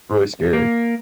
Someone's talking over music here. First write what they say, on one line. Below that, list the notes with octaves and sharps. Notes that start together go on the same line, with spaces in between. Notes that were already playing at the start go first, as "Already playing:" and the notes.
Really scary.
A#3